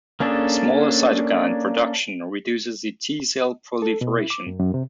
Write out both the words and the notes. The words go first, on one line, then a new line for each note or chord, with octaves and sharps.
Smaller cytokine production reduces the T cell proliferation.
A#3 C#4 D4 G#4 A4
A4
B2
E4
D6
F#2
F#2
C3